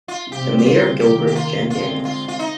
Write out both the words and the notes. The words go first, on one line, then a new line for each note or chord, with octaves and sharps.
The mayor of Gilbert is Jenn Daniels.
F4
C3 G3 C4 G4
G4
F4
C3 D#3 A#3 G4
G4
F4
D3 G#3 C4 F4
F4
F4
D#4